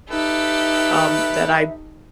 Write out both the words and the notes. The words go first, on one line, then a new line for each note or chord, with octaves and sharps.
um, that I
D#4 G4 A4 B4 E5